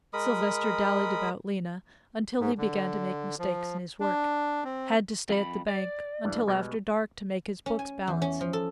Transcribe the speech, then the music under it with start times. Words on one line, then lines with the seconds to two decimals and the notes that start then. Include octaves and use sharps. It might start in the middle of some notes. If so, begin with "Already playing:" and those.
Sylvester dallied about Lena until he began to make mistakes in his work; had to stay at the bank until after dark to make his books balance.
0.13 G#3 A#4 B5 D#6
2.40 G#2
2.58 D3
3.39 F3
4.00 D4
4.64 C4
5.29 F2 B5
5.68 D5
6.24 G2 E3
6.48 B2 G3 G#3
7.66 C#4
7.79 G#5
8.07 E2
8.22 C#4
8.41 F3
8.53 A4